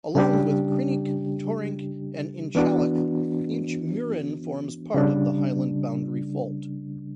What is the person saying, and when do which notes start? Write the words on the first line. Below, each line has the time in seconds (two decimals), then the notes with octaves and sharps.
Along with Creinch, Torrinch, and Inchcailloch, Inchmurrin forms part of the Highland boundary fault.
0.15 C#3 G3 D4 G4
2.55 E3 B3 D4 F#4
4.94 C#3 G3 D4